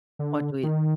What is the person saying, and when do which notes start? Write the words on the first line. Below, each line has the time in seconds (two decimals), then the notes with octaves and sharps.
What do we
0.19 D3
0.63 D#3